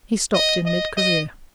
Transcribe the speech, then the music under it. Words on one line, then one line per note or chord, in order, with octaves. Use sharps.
He stopped in mid career.
D#5
D#5
D#5